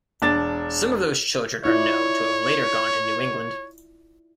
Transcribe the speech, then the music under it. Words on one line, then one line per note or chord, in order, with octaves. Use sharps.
Some of those children are known to have later gone to New England.
E1 D4 A6
E4 F4 C#5 D5